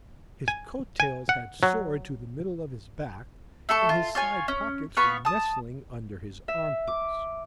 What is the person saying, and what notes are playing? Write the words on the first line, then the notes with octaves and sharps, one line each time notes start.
His coat tails had soared to the middle of his back, and his side pockets were nestling under his armpits.
G#5
G#5
F#5
F#3
A3 A4 C#6
F4
F4 C#5 G#5
C#4
B3 F5 B5 C#6
A5 D#6
E5
D6